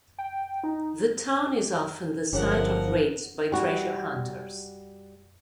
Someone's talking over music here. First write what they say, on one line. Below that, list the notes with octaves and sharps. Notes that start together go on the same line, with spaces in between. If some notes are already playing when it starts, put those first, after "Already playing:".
The town is often the site of raids by treasure hunters.
G5
D#4
G1 F3 C#4 G#4 A#4 C#5 F#5
G3 F#4